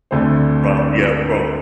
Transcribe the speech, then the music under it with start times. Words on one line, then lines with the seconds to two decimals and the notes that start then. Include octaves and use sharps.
from yeah, from
0.11 D2 D3 A3 C4 C5